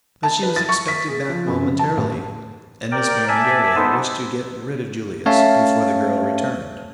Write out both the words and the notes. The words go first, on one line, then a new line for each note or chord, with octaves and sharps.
But she was expected back momentarily, and Miss Berengaria wished to get rid of Julius before the girl returned.
A5
B4
A6
C#6
B6
G#4
F3
F#2
C#3
A5
A1
A#4 D5 G5
D5 E5 G#5 A5
B3 D#4 A4 C5
A3 C#4 C#5 E5 F5 A5